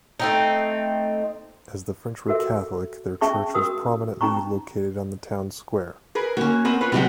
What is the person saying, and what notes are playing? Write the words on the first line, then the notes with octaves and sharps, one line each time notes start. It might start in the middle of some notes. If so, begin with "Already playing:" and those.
As the French were Catholic, their church was prominently located on the town square.
A3 C4 D#4
F#4 A4 A#4 E5
C#4 G#4 E5 A5 C#6
C#4 F#4 A#4 D#6 E6
C#4 D#4 A#5 C#6
G#4 A#4 B4
A#3 C#4 F#4
B3 C4 A#4
F4 B4 C#5
C3 F#3 G#3 B3 D5 F#5